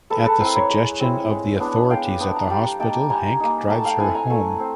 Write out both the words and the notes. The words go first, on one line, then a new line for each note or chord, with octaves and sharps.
At the suggestion of the authorities at the hospital, Hank drives her home.
G#3 A4 B4
A4 B4
C4 E4 A#4 C5
B4 C#5
G#3
C4 E4
G#3
B3 D4
G#3 F5 G5
B3 D4
A#5
G3 G5 A5
A#3 D#4 G5 A5
G3 G#5 A#5
A#3 D#4
A3 G5 A5
F5 G5
C4 E4 F#5 G#5
G#5 A#5
A3
C4